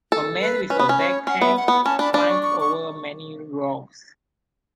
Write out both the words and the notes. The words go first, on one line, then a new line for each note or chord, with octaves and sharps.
A man with a backpack climbs over many rocks.
A4
B4
C#4 B4
B3
C#4
C#5
C#4 F#5
B3 E5
F#5
B3
C#4 A5
D4 B5
D4 B5
C#6
C#6
C#6